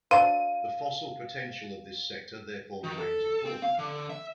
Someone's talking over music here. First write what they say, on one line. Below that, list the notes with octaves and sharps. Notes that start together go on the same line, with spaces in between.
The fossil potential of this sector therefore remains important.
F#3 D4 C5 F5 D#7
D#3
A4
C4
F5
D3
E5